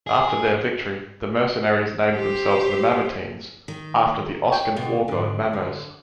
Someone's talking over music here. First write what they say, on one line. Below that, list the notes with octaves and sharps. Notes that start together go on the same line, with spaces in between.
After their victory, the mercenaries named themselves the Mamertines after the Oscan war-god Mamers.
G#4
G4 C5
D#3
C#5 G5
B2 D3
G#2 D3
D3